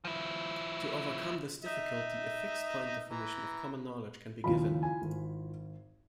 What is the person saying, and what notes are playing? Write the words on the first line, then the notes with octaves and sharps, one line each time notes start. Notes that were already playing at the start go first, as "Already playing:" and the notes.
To overcome this difficulty, a "fixed-point" definition of common knowledge can be given.
F3 E4
D#4 E5
E3 A#5
D#2 C#3 F3 E4 F4 B5
G#5
G#1